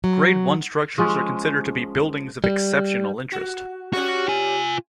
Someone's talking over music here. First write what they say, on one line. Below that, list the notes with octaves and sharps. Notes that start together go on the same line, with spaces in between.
Grade One structures are considered to be "buildings of exceptional interest".
F#3
F3 G#3 C#4
G3
F#4
G3 C#4 F#4 G4 F#5
F4 G#5